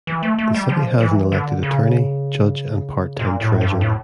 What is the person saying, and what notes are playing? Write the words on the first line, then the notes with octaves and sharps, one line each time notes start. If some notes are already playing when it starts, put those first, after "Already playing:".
The city has an elected attorney, judge and part-time treasurer.
E3
A3
A3
G3
F3
E3
D3
C#3
A#2
A2
G2
A2